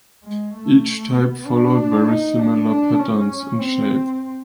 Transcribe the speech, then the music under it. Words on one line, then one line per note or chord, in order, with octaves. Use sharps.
Each type followed very similar patterns in shape.
G#3
A3
B3
D4
D#4
D4
D4
C#4
C4